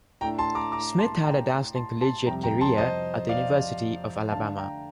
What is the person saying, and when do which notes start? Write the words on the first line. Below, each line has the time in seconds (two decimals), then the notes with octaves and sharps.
Smith had a dazzling collegiate career at the University of Alabama.
0.21 A2 A3 D4 G5 A#5
0.38 A5 C6
0.55 A#5 D6
0.72 A#5 D6
0.99 A5 C6
1.24 G5 A#5
1.75 A5 C6
2.01 A5 C6
2.27 F2 C3 G3 G5 A#5
2.43 G5 A#5
2.61 A5 C6
2.78 C5 D#5
3.29 D5 F5
4.32 D3 A3 D4 F5 A5
4.58 G5 A#5